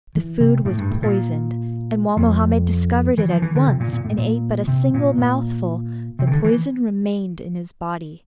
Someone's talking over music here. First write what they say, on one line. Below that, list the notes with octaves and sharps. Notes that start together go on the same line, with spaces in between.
The food was poisoned, and while Mohammed discovered it at once and ate but a single mouthful, the poison remained in his body.
E3
C3
A2
G2
A2
A#2
F2
E3
F3
E3
D3
C3
A#2
A#2
A2
A#2
C3
A#2
A#2
C3
E3
D3
E3